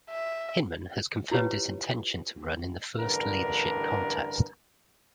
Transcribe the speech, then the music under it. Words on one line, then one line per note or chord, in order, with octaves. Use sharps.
Hinman has confirmed his intention to run in the first leadership contest.
E5
E4 F4 G4 B4 C#5
A1 G2 D3 A#4 B4